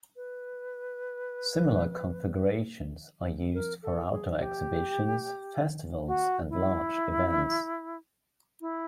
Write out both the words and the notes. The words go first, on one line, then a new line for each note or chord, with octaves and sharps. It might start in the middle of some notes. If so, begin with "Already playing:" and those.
Similar configurations are used for outdoor exhibitions, festivals and large events.
B4
A#4
A4
G#4
G4
F#4
E4
E4